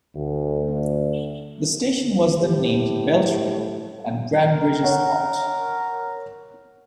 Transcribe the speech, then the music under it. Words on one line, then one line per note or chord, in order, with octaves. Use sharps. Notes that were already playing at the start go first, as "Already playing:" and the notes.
The station was then named Beltring and Branbridges Halt.
D2
A2 G4
A#4
C#5 F#5